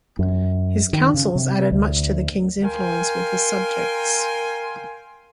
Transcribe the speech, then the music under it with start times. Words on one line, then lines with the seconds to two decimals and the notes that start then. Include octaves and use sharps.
His counsels added much to the king's influence with his subjects.
0.19 F#2
0.93 D#3
1.14 C#3
1.35 C3
1.72 D2
2.63 A#4 F5 G5 G#5 C6